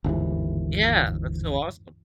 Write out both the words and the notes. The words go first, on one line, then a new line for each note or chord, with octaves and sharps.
Yeah, that's so awesome.
G1 D#2 G#2 E3